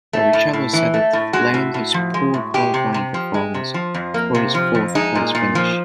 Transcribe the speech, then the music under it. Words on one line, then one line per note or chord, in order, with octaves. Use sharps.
Barrichello said that he blamed his poor qualifying performance for his fourth-place finish.
A3
A2
A2
E3
A3
A2
G#3 F#4
A2
A2
F3
G#3
A2
G#3 G4
C3
C3
F3
G#3
C3
F3
F2
A#3
C3
F3
F2
G#3 D#4
A#2
A#2
F3